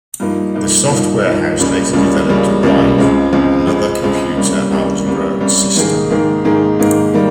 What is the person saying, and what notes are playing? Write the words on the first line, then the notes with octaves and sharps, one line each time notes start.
The Soft Warehouse later developed Derive, another computer algebra system.
G2 F3 A#3 D#4
G2 F3 A#3 D#4
G2 F3 A#3 D#4
G2 F3 A#3 D#4
C#2 C#3 G3 A#3 C#4
C#2 C#3 G3 A#3 C#4
C#2 C#3 G3 A#3 C#4
C#2 C#3 G3 A#3 C#4
C#2 C#3 G#3 C4
C#2 C#3 G#3 C4
C#2 C#3 G#3 C4
C#2 C#3 G#3 C4
C2 C3 G3 A#3 C#4
C2 C3 G3 A#3 C#4
C2 C3 G3 A#3 C#4
C2 C3 G3 A#3 C#4
G#2 D#3 A#3 D#4 G#4
G#2 D#3 A#3 D#4 G#4
G#2 D#3 A#3 D#4 G#4
G#2 D#3 A#3 D#4 G#4
D#3 G3 A#3